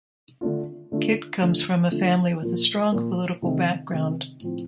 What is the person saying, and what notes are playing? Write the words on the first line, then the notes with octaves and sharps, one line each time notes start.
Kitt comes from a family with a strong political background.
D3 A3 D4 F4
D3 A3 D4 F4
D3 F3 A3 D4 F4
D3 F3 A3 D4 F4
A#2 F3 A#3
A#2 F3 A#3
C3 D#3 A3 C4 D#4
C3 D#3 A3 C4 D#4
A2 F3 C4